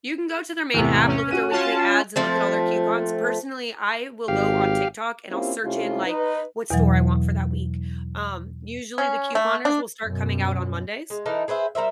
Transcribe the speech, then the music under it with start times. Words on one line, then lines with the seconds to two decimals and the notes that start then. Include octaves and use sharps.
You can go to their main app, look at their weekly ads, and look at all their coupons, personally, I will go on TikTok, and I'll search in, like, what store I want for that week, um, usually, the couponers will start coming out on Mondays.
0.74 E2 A2 C3
1.08 C#4
1.31 F#4 D#7
1.51 C#4 F4 A5
2.16 F3 A3 C4
4.28 G#1 G4 F5
5.30 A#3 C4 C#4 E4 F4 G4
5.64 C3 A3 C#4 E4 F4 G4
6.07 D#4 B4
6.71 E2 B2 E3 F#3
8.98 C#4
9.35 A3
9.65 D4
10.03 F#2 B2
11.10 G#3
11.25 E3 D#4 A4 A#4
11.48 G#4 B4 C5 E5
11.75 G3 A#4 C5 E5